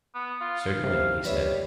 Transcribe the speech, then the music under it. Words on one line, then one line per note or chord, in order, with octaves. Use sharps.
Certainly, he said.
B3
F4
F5
C3
G3 B4 C#5 E5